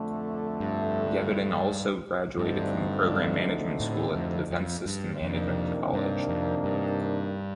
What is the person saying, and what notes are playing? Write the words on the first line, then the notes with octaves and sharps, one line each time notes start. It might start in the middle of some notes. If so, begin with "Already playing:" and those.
Geveden also graduated from the Program Management School at the Defense Systems Management College.
Already playing: F2 D3 A3
G2
D2 G2 D3 A3 C4 D#4
A2
F2
F2
G2
F2 C3 D#3 A#3 D4
G2
F2
G2